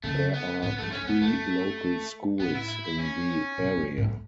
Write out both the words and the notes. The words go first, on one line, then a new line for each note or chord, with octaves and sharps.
There are three local schools in the area.
C#3 A3
B3
A2 B3
F#2 A3
C#4
E2
B3
F#2 A3
A2 B3
E4
E4
E4
C#4
B2
F#2
A2